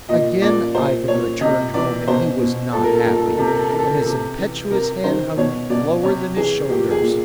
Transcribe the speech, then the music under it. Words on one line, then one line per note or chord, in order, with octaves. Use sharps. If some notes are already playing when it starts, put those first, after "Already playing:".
Again Ivan returned home and he was not happy, and his impetuous head hung lower than his shoulders.
A#2 D#5
A#2 D5
A#2 C5
A#2 C#5
C3 D#5
E3 D5
B2 C5
B2
A#2 A4
A#4
A4
A#2 A#4
A4
A#4
C3 A4
A#4
A4
E3 A#4
A4
A#4
C3 A4
E3
C3 A#4
D#3 C5
B2 C#5
B2 D5
C3 C#5
E3 G#4
A#2 G4
G#4
A#2